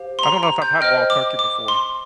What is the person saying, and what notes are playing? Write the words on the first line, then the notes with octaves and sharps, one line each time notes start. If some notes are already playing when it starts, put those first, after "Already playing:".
I don't know if I've had wild turkey before.
Already playing: G4 C5 F5
C6
A#5
A#5
G6
C5 D#5 G5 F6
D6
D6
C6